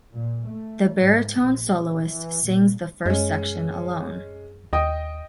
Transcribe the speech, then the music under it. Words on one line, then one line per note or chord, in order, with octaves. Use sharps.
The baritone soloist sings the first section alone.
A#2
A3
G#2
A#1
C#3
E3
A#2
F#2 G#3 C#4
D#2 D#5 G5 D#6